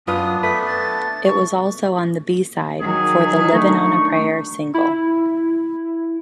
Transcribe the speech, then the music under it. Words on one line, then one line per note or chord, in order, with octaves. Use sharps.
It was also on the B-side for the "Livin' on a Prayer" single.
F#2 B3 D4 F4 B4 D#6
A3 B4 B6
A6
C#6
D#3 F#3 G#4
A3 D4 D#4 C#6
E4